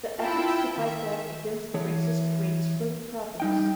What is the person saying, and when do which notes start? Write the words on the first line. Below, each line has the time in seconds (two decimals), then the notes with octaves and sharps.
The efforts to fight back against the racist creates further problems.
0.18 E4 F4 G5 A5
0.77 D#3 E5
1.74 E3 C#5
3.40 G3 D#4 G5